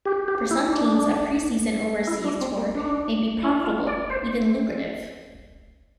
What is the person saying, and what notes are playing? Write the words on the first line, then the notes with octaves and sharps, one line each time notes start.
For some teams a pre-season overseas tour may be profitable, even lucrative.
G4
G4
E4
D4
E4
D4
C4
A#3
D4
E4
F4
D5
C5